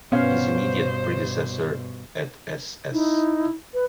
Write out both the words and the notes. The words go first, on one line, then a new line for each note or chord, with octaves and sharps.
His immediate predecessor at Ss.
G2 B2 B3 C#4 C5 F5
D#4 E4
B4